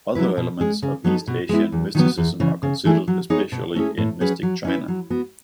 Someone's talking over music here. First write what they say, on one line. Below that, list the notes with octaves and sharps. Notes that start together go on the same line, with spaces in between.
Other elements of East Asian mysticism are considered, especially in "Mystic China".
F#3 A3 E4 B4
B2
G#3 C#4 G#4
C#3
F#3 B3 D#4 A4
B2
G#3 B3 E4
E2
D#3 F#3 B3
E2
C#3 E3
C#3
E3 A3 E4 G#4
F#3
B3 D#4 G#4 C#5
B2
A3 C#4 E4 G#4
A2
F#3 C#4 G#4 B4
F#3
C#4 E4 B4
F#3
B3 F#4